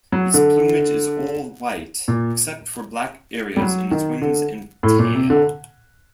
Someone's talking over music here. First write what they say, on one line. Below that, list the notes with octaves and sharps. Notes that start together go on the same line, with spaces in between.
Its plumage is all white except for black areas in its wings and tail.
F#3
D3
A#2
G3
F#3
D#3
D3
A2
A#2
C3
D3